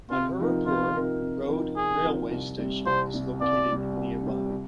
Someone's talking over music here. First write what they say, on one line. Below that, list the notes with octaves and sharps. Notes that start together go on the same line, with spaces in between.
Mathurapur Road railway station is located nearby.
C3 F4
F3 C4 D#4 A#4
C3 F4
F3 C4 D#4 A#4
C3
F3 C4 D#4 A#4
C3 G#4
F3 C4 D#4 A#4
C2
C3 G3
C2 C5
C3 G3
C2 D5
C3 G3
C2
C3 G3
C3